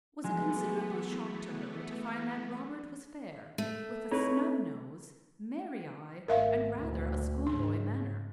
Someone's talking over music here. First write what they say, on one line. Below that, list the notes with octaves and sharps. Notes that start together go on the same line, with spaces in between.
It was a considerable shock to her to find that Robert was fair, with a snub nose, merry eye, and rather a schoolboy manner.
E3 F#3 G#3 A3 B3
A3
C4 D#4 E4 B4 C#5
G#1 A3 A#4 E5 F5
D2 A#2
G#2 C#3 D4